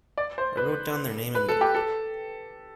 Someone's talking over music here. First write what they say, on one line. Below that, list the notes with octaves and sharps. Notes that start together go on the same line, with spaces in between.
I wrote down their name and number.
D5
C5
B4
B4
A4
G4
A4